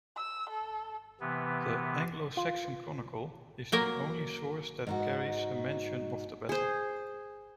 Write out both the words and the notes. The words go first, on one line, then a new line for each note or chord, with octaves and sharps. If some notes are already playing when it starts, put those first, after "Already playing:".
The "Anglo-Saxon Chronicle" is the only source that carries a mention of the battle.
E6
A4
C3 E3 B3
F4
F#3 A#3 A#4
G#2 D#4 F#4
G#4 C5